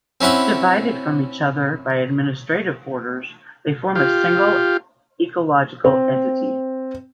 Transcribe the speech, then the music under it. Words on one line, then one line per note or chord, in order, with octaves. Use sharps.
Divided from each other by administrative borders, they form a single ecological entity.
C4 C#4 E4 F#5 B5
F4 G4
C4